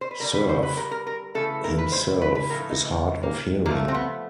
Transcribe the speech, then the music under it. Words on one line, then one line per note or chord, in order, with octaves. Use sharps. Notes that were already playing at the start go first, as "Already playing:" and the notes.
Cerf himself is hard of hearing.
C5
B4
D3 G3 A#4
B4
C5
B4
A#4
A#4
A#4
C#3 E3 A3 A4
A#4
B4
C5
B4
B4
A2 F3 A3 A#4
D#4
A#3
C3 F3 A3 A#3
C4
B3